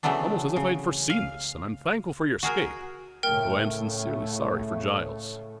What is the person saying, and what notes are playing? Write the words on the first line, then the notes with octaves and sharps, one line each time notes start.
It is almost as if I had foreseen this; and I am thankful for your escape, though I am sincerely sorry for Giles.
C#3 E3 F#3 A3 B3 D4
C#3
F5
F#4 G#4 A#4
A2 C#3 A3 A#4 G5 F6